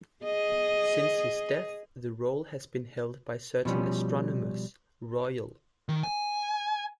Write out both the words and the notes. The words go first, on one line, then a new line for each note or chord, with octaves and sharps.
Since his death, the role has been held by certain Astronomers Royal.
G#4 D#5
B2 F3 G3 C#4
D#3
G#5